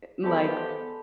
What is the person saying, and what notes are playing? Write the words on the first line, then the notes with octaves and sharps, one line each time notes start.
i like
D3 F3 G#3 B3 G4 A4 B5